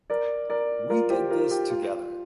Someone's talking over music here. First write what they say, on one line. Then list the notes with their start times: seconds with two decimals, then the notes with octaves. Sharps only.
We did this together.
0.10 A#4 D5
0.50 A#4 D5
0.90 F4 A#4
1.10 G4 C5
1.30 F4 A#4
1.51 G4
1.70 F4